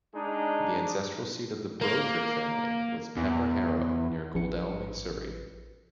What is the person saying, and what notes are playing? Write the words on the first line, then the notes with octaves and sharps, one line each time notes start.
The ancestral seat of the Brodrick family was Peper Harrow near Godalming, Surrey.
G#3 D4 D#4
A#3
E2
A1 F3 C#4 B4 C#7